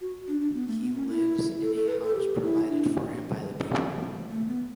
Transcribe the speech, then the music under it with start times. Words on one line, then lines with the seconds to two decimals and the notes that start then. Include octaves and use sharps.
He lives in a house provided for him by the people.
0.01 F#4
0.28 D4
0.41 D4
0.55 B3
0.68 A3
0.81 B3
0.95 C#4
1.08 E4
1.62 A4
1.76 A4
1.88 B4
2.02 A4
2.15 G4
2.42 E4
2.69 D4
4.31 A3
4.47 B3